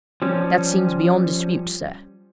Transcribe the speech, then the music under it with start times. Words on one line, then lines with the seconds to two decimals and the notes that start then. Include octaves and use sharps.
"That seems beyond dispute, sir."
0.22 F3 G3 C#4